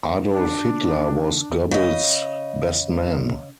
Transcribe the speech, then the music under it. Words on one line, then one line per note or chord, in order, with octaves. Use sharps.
Adolf Hitler was Goebbels' best man.
D4
C#3 D#5